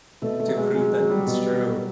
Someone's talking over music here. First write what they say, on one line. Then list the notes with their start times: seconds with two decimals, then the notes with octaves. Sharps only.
to prove that it's true."
0.22 B2 A3
0.40 A3
0.48 F#3
0.57 G#3
0.74 F#3 G#3
0.92 G#3
1.01 F#3
1.10 G3
1.27 B2
1.53 F#3